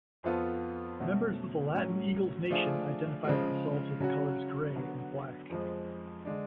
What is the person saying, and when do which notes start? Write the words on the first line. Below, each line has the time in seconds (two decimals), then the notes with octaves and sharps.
Members of the Latin Eagles Nation identify themselves with the colors grey and black.
0.24 F2 F3 B3 F4 A4
1.00 B2 F#3 A3 C#4
1.74 A2 F#3 C#4
2.50 F3 A3 D4 F4 G#4
3.24 C#3 F3 G#3
4.00 C#3 F#3 C#4 F#4
4.75 D3 F#3 B3 F#4
5.50 F2 F3 G#3
6.25 D3 G#3 D4